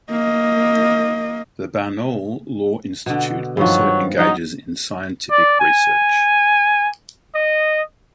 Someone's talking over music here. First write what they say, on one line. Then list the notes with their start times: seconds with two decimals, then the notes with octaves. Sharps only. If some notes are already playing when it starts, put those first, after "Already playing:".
The Barnaul Law Institute also engages in scientific research.
0.10 A#3 D#5
3.06 B2 D3
3.57 G2 D#3 F3 F#3
4.19 F#3 C#4 D#4
5.31 D5
5.60 G#5
7.35 D#5